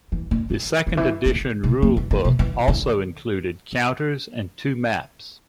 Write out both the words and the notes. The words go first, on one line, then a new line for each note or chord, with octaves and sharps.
The second edition rulebook also included counters and two maps.
E3
D3
E3
D3
E3
D3
C3
F3
E3
E3
C3
E3
D3